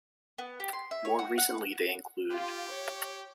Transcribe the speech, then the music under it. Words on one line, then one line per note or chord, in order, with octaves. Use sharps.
More recently, they include...
B3
G4
C6
E5
C#5
F#4
F#5
F4 G4
C#5